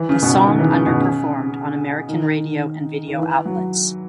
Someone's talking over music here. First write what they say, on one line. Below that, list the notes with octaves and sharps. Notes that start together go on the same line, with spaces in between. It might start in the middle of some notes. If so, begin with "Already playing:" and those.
The song underperformed on American radio and video outlets.
Already playing: E3
C#3
B2
C#3
D#3
E3
C#3
B2
C#3
D#3
D#3
E3
F#3